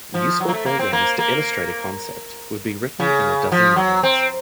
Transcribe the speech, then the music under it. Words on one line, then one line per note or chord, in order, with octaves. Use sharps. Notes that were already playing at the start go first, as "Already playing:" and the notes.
Useful programs to illustrate a concept could be written in a dozen lines.
F3
F#3
A#3
A3
A#3
C4
A#3
A#3
C#3
F3
F#3
C4